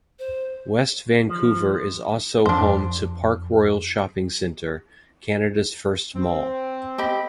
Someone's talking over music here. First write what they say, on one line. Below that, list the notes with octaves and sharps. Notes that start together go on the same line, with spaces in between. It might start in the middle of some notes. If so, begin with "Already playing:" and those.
West Vancouver is also home to Park Royal Shopping Centre, Canada's first mall.
C5
F3
F2 D4 C5
C4
G4 D#5 B5